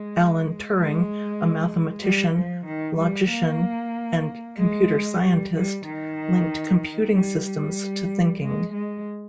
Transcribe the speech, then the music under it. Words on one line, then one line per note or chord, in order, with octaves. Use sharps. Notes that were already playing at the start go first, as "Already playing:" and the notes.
Alan Turing, a mathematician, logician and computer scientist, linked computing systems to thinking.
Already playing: G#3
G#3
G3
F3
D#3
G3
A#3
G#3
G3
G3
D#3
G3
G3
G#3
G#3